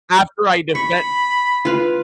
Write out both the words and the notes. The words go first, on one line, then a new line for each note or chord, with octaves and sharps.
after I defend
B5 C#6
F4 B4 F5